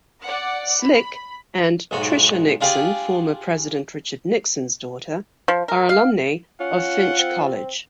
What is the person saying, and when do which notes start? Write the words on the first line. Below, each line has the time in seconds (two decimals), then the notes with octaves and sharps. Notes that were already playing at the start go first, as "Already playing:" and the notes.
Slick and Tricia Nixon, former President Richard Nixon's daughter, are alumnae of Finch College.
0.21 D5 F#5
0.82 B5
1.91 B1 G#2 F#4
2.61 D4 F4 G4 G#4 D5
5.48 F3
5.68 A#4
5.89 F5
6.60 C#4 F4 F#5
7.19 C4